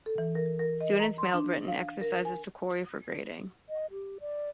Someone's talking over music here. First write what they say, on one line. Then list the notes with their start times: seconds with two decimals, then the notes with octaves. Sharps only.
Students mailed written exercises to Cory for grading.
0.06 A4
0.18 E3
0.35 A#4
0.59 A#4
0.81 D#5
1.00 A#5
1.18 C6
1.34 D4
1.68 F5
2.01 A#4
2.25 G#5
3.69 D#5
3.91 G4
4.20 D5